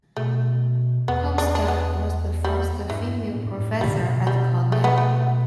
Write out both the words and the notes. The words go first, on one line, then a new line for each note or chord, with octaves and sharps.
Comstock was the first female professor at Cornell.
B2 A3
E2 B3
D4
D4
B3
G3
G2 E3
A2
G2
A2
B2 G3
D3
B2
G3
A3
B3
A3